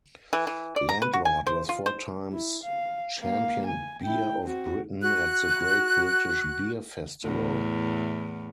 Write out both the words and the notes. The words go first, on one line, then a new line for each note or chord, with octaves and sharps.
Landlord was four times Champion Beer of Britain at the 'Great British Beer Festival'.
E3
E3
D5
A#5
B4
F#4
G#5
C5
F4
C5
E4
F5
A#3 F5
G#5
E4 G5
C4 F#4
F#4 F#6
E2 A2